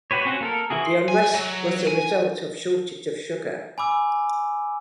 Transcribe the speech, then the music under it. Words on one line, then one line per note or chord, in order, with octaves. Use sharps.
The unrest was the result of shortage of sugar.
F#4 G4 B4 C#5
C4 C#4 F#4 C5 F#5
A#3 A4 A#4
E3 E4 F#4 G#4
C6
G#5
F#3
G#5
G#5 B5 D6 E6